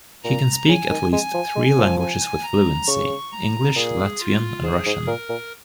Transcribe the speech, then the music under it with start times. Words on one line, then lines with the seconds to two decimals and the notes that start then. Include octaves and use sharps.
He can speak at least three languages with fluency: English, Latvian, and Russian.
0.23 A#2 A#5
0.68 C#3 G#5
0.90 D#3
1.11 G#3 G#5
1.34 F3
1.55 G#3
1.78 F3
1.99 G#5
2.43 A#5
2.87 C#3 C#6
3.32 A#5
3.75 A#2 G#4
4.19 F4
4.63 G#2 G#4
4.86 G#2
5.07 A#2 A#4
5.29 A#2